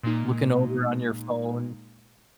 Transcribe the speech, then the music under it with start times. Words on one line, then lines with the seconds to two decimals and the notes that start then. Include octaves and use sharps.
looking over on your phone.
0.03 A#2 G#3 A#3 D#4